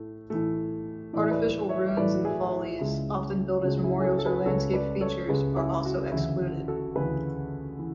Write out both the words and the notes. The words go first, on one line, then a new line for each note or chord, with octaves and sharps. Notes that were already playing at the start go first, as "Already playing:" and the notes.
Artificial ruins and follies, often built as memorials or landscape features, are also excluded.
Already playing: A2 A3
A2 E3 A3
A2 E3 A3 D5
E5
B4 D5
C#5 E5
E5
A2 E3 A3 B4 D5
F#4
E4 G#4
E4
C#2 C#3 G#3 E4
C#2 C#3 G#3 F#4
F#4
E4 G#4
G#4
F#4 A4
A4
G#4 B4
C#2 C#3 G#3 A4 C#5
B4 D5
A4 C#5
C#2 C#3 G#3 G#4 B4
E4 G#4
F#4
D2 C#3 E3 E4
F#4 A4
D2 C#3 E3 G#4 B4
E3